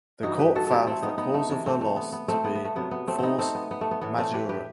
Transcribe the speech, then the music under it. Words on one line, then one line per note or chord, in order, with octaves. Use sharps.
The court found the cause of her loss to be "force majeure".
G2 E3 G3 D#4 F#4
G4 B4
F#4 A4
E4 G4 A4
A3 C4
B3 D#4
B3 D#4
A3
C3 E3 A3
A3 C4
A3
B3
B3
A3 C4
B3
B3
A3
C3 F#3 A3 B3
B3
A3 C4
B3 C4 D#4
A3 C4
B3
B3
A3
B3
A2 E3 A3 B3
A3 C4
G4 B4
G4 B4